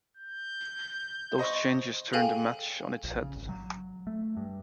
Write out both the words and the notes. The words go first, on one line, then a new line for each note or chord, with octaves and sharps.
Those changes turned the match on its head.
G6
C5 D#5 C#6
G#4 A4 F5 G5 G#5
A#1
C#3
G#1
F#3
A3
G2